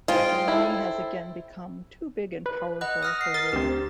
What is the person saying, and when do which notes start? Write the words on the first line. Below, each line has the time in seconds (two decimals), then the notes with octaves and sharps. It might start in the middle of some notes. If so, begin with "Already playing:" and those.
Germany has again become too big and powerful for Europe.
0.08 G#3 F4 C5 G5
0.48 E4 A4
2.46 B4
2.81 D#5 F#5 F#6
3.03 D#6 F6 A#6
3.21 C7
3.34 A#4 A6
3.53 D2 C4 G4